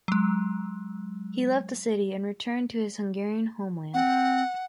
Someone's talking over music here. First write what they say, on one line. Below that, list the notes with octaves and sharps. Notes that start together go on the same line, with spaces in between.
He left the city and returned to his Hungarian homeland.
F#3 G#3
C4 F#5